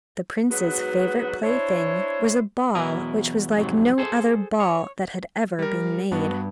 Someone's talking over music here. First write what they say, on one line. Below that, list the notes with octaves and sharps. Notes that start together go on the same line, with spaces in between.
The prince's favorite plaything was a ball which was like no other ball that had ever been made.
G#2 F#3 B3 F#4 B4
D4 E4 C5 C#5
E2 B2 F#3 E4 A#4 D#5
F2 G#2 C3 F#3
G#4 A4 C5
C#5
G3 A#4
G2 B3 D4 F#4